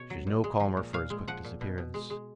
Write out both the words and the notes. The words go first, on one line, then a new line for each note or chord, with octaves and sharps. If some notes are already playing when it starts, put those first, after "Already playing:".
She was no calmer for his quick disappearance.
Already playing: B2 C#5
F#3
A#2
G#3
F3
A#2
A#2 F5
G#3
F3 F#5
A#2
B2
B2
G#3
G#3